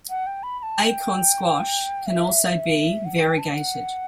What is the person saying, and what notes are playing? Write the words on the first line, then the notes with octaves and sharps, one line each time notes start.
Acorn squash can also be variegated.
F#5
G5
B5
B5
A5
G5
E5
F#5
G5
A5
F#5